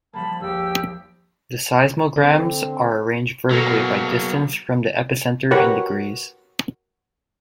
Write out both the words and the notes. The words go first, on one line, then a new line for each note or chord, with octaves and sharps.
The seismograms are arranged vertically by distance from the epicenter in degrees.
F3 G3 A#3 A5 B5
G#1 D#2 G4 E6
D3 C4
B2 F#3 A#3 A4
F#4 G4 A#4 B4 C#5 F#5